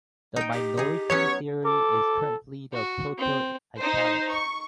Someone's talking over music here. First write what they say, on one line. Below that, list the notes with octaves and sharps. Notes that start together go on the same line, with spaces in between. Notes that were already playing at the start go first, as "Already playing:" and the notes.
The minority theory is currently the Proto-Italic.
D#4 G5
G4
D#4 G#4
F#3 B3 C#4 C#5
A4 D6
F#4
C4
D#4 C5
C#6